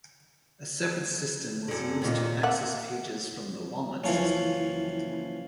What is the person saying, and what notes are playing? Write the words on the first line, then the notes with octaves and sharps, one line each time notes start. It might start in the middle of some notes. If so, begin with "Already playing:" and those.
A separate system was used to access pages from the Walnut system.
F#2 D3
D#2 A#2 D#3
A#3 E5 F#5
F#1 E3 F3 C#4